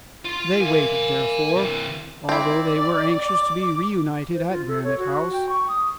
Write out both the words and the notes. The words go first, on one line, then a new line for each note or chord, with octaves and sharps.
They waited, therefore, although they were anxious to be reunited at Granite House.
F4 C6
A#3 E5 G#5
C3 E3
C4 E4 D5
D6
C5
F4
A4
C#5
F#4
G5
C#6
D#6